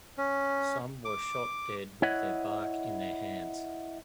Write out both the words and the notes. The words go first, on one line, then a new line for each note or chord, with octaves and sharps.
Some were shot dead with their bark in their hands.
C#4
D6
E4 C#5 D#5 F#5